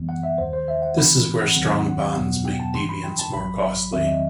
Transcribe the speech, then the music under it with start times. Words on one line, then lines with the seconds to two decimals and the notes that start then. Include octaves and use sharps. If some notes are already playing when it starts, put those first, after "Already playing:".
This is where strong bonds make deviance more costly.
Already playing: G1 F#2 E3 G3 B3
0.09 F#5
0.23 E5
0.38 D#2 D#3 A3 C5
0.53 C5
0.68 E5
0.82 F#5
0.97 G2 E3 A3 C4 B5
1.42 F#5
1.56 D#2 D#3 F#3 C4
1.86 F#5
2.15 E2 B2 F#3 B3
2.45 G5
2.60 A5
2.75 G1 G2 E3 G3 C6
2.89 B5
3.04 G5
3.19 A5
3.34 A1 A2 F#3 B5
3.93 E2 D#3 F#3 C4 E5
4.07 D#5